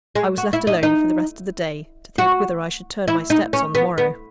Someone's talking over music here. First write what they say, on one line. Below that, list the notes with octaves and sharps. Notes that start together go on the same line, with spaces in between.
I was left alone for the rest of the day, to think whither I should turn my steps on the morrow.
G#3
F#4
E4
D#4
D#4
F#4
E4
D#4
C#4
B3
B3